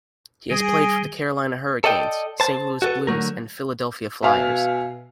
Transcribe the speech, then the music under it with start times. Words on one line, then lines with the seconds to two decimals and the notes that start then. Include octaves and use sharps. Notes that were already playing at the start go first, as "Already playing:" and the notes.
He has played for the Carolina Hurricanes, Saint Louis Blues and Philadelphia Flyers.
0.50 D#3 G3 G#4
1.84 A4 D5 D#5 F#5 G5
2.40 C5 A5
2.82 F#4 A4 B4
3.07 D3 F#3 A3 A#4
4.23 B2 E5 F5 G#5